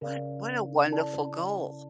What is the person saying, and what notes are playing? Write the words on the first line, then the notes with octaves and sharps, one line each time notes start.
What what a wonderful goal, a
C#3 C#4 A#4 D5 F5
E4 A4 D5 A5